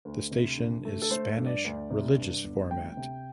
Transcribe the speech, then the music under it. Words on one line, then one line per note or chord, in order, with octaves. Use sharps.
The station is Spanish religious format.
D2
C3
D3
A3
A4
A3 C5
G2
D5
D2 D5
C3
G2
G1
D2 G5
C3